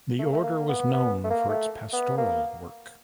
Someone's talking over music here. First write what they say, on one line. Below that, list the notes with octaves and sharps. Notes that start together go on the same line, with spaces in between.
The order was known for its pastoral work.
A3
A#3
A3
A#3
B3
B3
A3
A#3
A3
B3
A#3